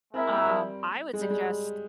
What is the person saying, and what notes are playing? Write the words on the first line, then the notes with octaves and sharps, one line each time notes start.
um, I would suggest,
G#3 C4 E4 A#4 E5
A#3
G3
G#3
G3
G#3